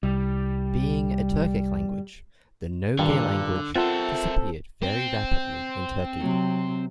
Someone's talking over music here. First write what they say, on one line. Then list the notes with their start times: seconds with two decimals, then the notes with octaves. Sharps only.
Being a Turkic language, the Nogai language disappeared very rapidly in Turkey.
0.03 C2 G3
2.99 G2 A#2 D3 D#3
3.76 C4 F4 A4 A#4 E5 F#5
4.83 C4
6.19 C3 F#3